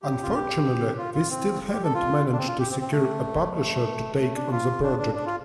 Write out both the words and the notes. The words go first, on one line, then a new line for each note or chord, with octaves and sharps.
Unfortunately we still haven't managed to secure a publisher to take on the project.
G4
F4
G4
F4
F4
C4
G4
A4
F4
D4
C4
F4
G4
C4
C4
A3
A3
A3
D4
F4
D4
D4
D4
F4